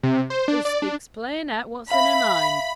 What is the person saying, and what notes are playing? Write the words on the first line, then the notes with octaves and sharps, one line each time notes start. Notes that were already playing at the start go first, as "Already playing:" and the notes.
'Hoo speaks plain out what's in her mind.
C3
C5
D4
D5
D4
E5 F5 B5